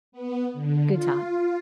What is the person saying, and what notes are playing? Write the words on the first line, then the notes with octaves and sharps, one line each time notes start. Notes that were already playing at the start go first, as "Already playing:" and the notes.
Good times.
B3
D3
F4